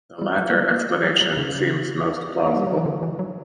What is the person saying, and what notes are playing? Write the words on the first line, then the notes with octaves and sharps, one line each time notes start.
The latter explanation seems most plausible.
G3
F#3
A#3
G3
A#3
F#3
F#3
C#3
A#3
G3
F#3
E3
D3
E3
F#3